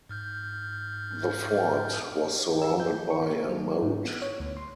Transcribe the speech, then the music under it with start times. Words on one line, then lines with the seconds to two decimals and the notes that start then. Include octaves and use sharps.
The fort was surrounded by a moat.
0.09 G#2 F6 G6
2.62 E6
2.80 G6
3.10 C#6
3.30 A#3
3.49 F#3
3.82 G#2
4.05 B3
4.22 C#5
4.40 D2
4.57 C6